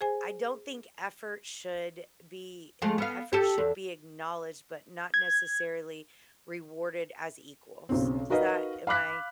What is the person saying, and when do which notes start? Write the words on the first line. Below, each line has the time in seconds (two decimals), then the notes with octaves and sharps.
I don't think effort should be effort should be acknowledged, but not necessarily rewarded as equals. Does that am I,
0.01 G#4 C5 G#5
2.82 F3 G#3 A3
2.98 B3 F5
3.33 G4 A4
3.58 E2
5.14 G#6
7.89 B1 C#3 C4
8.30 D#4 F#4 A#4 B4 D#5 F5
8.87 F5 B5 D6 F#6 B6